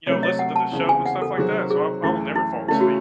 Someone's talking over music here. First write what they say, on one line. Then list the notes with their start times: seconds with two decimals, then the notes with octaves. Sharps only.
you know, listen to the show and stuff like that. So, I w I will never fall asleep.
0.06 C3 F#3 A3 C#5
0.23 D#5
0.39 F#5
0.56 A5
0.72 E2 C#3 G#3 C4
0.89 G#5
1.06 F#5
1.22 A4
1.38 C3 D#3 F#3 C4 F#4 G#4
1.71 G#4
2.03 F#2 E3 A3 E4
2.35 E4
2.68 C#3 E3 A3 C#4 E4
2.81 F#4